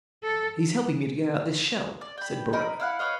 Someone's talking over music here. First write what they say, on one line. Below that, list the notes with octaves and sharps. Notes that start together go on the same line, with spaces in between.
"He's helping me to get out this shell," said Borrowe.
A4
D5
G5 B5
D#4 A#4 B5
E4 F5 F#5
B4 C#5 D#5 F5